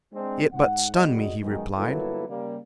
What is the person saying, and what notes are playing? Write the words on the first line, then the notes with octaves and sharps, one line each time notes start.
"It but stunned me," he replied.
G#3 C4 D4
G#2 F#5
F#1 G3 G#3 F#4 D#5
F#2 B2 D#3 F#3 G#3
G1 F#3 A#3 E4 A4 B4
C#3 G3 A#3